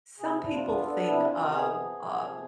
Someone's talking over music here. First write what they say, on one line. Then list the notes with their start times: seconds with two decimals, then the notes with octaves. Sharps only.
some people think of, uh,
0.20 C3 G#4
0.36 D4 E4
0.53 F4
0.64 B3
0.70 F4
0.85 D4 A4
1.08 C3 E4
1.30 C3 F4
1.52 B3 G#4
1.74 F3
1.97 F3
2.19 C3